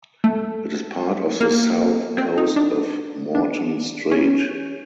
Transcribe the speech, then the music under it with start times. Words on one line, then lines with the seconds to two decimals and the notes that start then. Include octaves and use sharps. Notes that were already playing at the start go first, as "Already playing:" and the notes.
It is part of the south coast of Morton Strait.
0.24 A3
1.41 A#3
2.18 C4
2.38 D#4
2.56 D4
3.35 D4
4.11 C#4